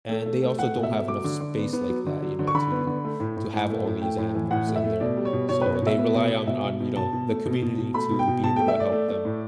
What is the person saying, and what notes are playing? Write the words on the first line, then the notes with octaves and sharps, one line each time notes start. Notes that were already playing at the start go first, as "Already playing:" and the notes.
and they also don't have enough space like that, you know, to to have all these animals in there, so they rely on on, you know, the community to be able to help them,
A3
A3
A3
A3 F#5
B2
E5
A3
F#3 D6
D3
D3
B3
B3
F#3
D3
F#3
D3
C#6
D3 B5
B3
D3
A3
A2
A2
A2
A3
A2
A3 G5
A2
E3
A2 F#5
A3
E5
A3
B2 D5
G3
C#5
B2
B2 C#5
B2 B4
C#5
B2 E5
B3
B2
B3
B2 E5
B2
B2
B2 A5
B2
A3
B2
B2
B2
A3 B5
B2
G5
B2
B2 A5
A3 G5
E5
A3 D5
A3
A3
A2